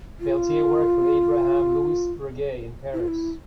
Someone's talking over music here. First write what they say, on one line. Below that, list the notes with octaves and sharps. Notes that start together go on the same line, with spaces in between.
Peltier worked with Abraham Louis Breguet in Paris.
F4
E4
F4
E4